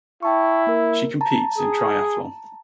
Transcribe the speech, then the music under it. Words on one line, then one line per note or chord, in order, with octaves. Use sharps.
She competes in triathlon.
E4 G5 A5 C#6
A#3 A#4
A5 A#5
G#4